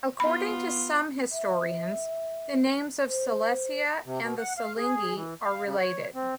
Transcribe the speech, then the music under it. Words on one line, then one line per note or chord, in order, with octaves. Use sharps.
According to some historians, the names of Silesia and the Silingi are related.
B3 F4 B5
E5
C5
C3
B2
F#5
F5
G#4
E3
F5
C#3
C#5
C4